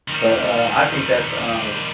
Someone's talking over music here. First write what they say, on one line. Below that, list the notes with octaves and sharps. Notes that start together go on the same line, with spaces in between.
But, uh, I think that's, um,
D#3 G3